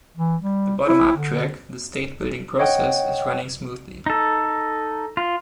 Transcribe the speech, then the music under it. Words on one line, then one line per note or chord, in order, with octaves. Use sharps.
The bottom-up track — the State-building process — is running smoothly.
E3
G3
E4
D3
C#5 D#5 F#5 G5
D#4 A4
F4